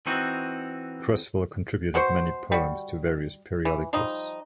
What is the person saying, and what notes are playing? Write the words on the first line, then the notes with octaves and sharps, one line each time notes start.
Creswell contributed many poems to various periodicals.
E3 C4 D#4 F#4
B2 F#4 C5 C#6
G3 F#4
E3
F3 G3 D#4